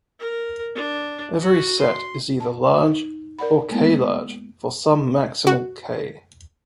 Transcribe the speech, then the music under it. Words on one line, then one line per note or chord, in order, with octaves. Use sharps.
Every set is either large or "k"-large for some maximal "k".
A#4
D4
F#4
C6
A5
D#4
A#4 D5 F#5 B5
G#3 A#3 B3 E4
F#4